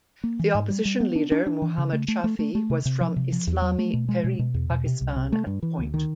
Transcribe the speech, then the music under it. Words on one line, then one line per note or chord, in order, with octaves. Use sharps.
The opposition leader Muhammad Shafi was from Islami Tehreek Pakistan at the point.
A#3
E3
G#2
G3
G3
B3
D4
D4
D4
E3
C#3
A3
A3
A3
A3
A3
C3
C3
F3
C3
F3
E2
F#3
A3
B2
G#3
B2
B2
E2
B2
C3
C2
C3
A3
G2
E3
D2
D#3